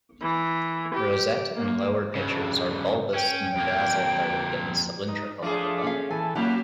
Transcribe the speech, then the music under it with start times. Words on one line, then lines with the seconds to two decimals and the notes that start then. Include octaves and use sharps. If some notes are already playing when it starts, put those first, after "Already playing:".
Rosette and lower pitchers are bulbous in the basal third and cylindrical above.
0.22 E3
0.94 G4
1.56 A#3
2.15 G2 C#3
3.14 C#4 G5
3.57 F2 A#3
5.08 D#4
5.42 F3 A3 D4 G#4
5.84 C#4 F5
6.11 E3 A4 G#5
6.35 F#3 A#3 C#4 E4 F#4 G4